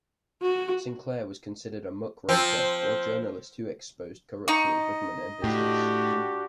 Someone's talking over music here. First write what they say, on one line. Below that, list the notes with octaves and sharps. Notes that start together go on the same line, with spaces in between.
Sinclair was considered a muckraker, or journalist who exposed corruption in government and business.
F#4
F3 C4
D#4 D#5 C#6
A2 D4 F#4 G4